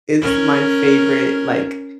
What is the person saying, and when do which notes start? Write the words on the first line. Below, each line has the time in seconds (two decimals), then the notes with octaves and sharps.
is my favorite, like,
0.22 C#4 A#4